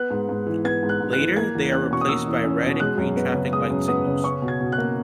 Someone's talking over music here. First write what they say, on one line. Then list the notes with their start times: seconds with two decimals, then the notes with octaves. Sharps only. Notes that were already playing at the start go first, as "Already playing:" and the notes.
Later they are replaced by red and green traffic-light signals.
Already playing: B3 F#6
0.10 G#2
0.29 G#2
0.47 E3
0.65 B3 G#6
0.83 G#2
0.89 F#6
1.00 G#2
1.13 F#6
1.18 E3
1.36 A#3 G#6
1.55 E2
1.72 C#4 F#6
1.91 B2 C#6
2.01 D#6
2.09 A#3 E6
2.26 E2
2.44 C#4
2.63 B2
2.80 G#3 F#6
2.98 F#2
3.17 B3
3.35 C#3
3.52 G#3 D#6
3.70 F#2
3.88 B3 D#6
4.07 C#3
4.24 C#4 C#6
4.42 B2
4.48 G#6
4.61 B2
4.72 F#6
4.78 A#3